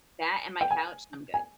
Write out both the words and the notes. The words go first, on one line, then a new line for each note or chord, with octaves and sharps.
That and my couch, I'm good.
G5
G#5
G#5